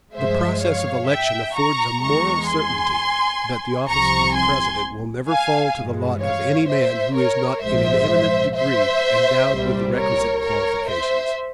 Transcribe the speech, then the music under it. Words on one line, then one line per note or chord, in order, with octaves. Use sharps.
The process of election affords a moral certainty, that the office of President will never fall to the lot of any man who is not in an eminent degree endowed with the requisite qualifications.
G2 F3 G#3 C5 E5
C#5 F5
E5 G5
A#5 C#6
E2 E3 G#3 A#5 C#6
G#5 C6
C2 C3 F3 A#5 C#6
G#5 C6
F5 G#5
G2 E3 G#3
C#5 F5
C5 E5
A#4 C#5
A#1 G#2 F3 G#3 C5 E5
C5 E5
C2 A#2 G3
A#4 C#5
A#4 C#5
C5 E5